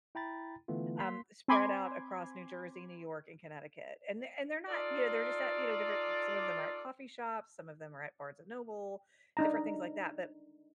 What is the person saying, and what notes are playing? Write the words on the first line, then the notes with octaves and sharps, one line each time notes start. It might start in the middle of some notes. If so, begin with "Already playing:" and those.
um, spread out across New Jersey, New York, and Connecticut, and they're they're not You know, they're just at, you know, different s Some of them are at coffee shops, some of them are at Barnes and Noble, different things like that, but
E4 G5 A#5 B5 A6
D3 E3 A3 B3 F4
A#3 C6 B6
C4 G#5 B5 C6 D6 G#6
D#4 F4 A4 D5
D4 D#4 A#5